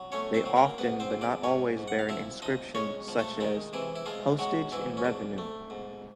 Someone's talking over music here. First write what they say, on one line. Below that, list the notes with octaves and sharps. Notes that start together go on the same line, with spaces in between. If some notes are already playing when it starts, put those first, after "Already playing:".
They often but not always bear an inscription such as "Postage and Revenue".
Already playing: F#3
A3 C#4 C#5
C4 C5
F#3
A#3 A#4
G#2 B3 B4
C4 C5
G#2
D4 D5
G#2 C#4 C#5
G#2
F#5
F5
F3 E4 E5
F3 D#4 D#5
G#3 C#4 C#5
F3
A3 A4
D#3 G#3 D#4
C3 E3 E4
E4
F3 G#3 F4
F#3 G#3 F#4
G#2 E3 E4
C#4
G#2 D4
A3
G#2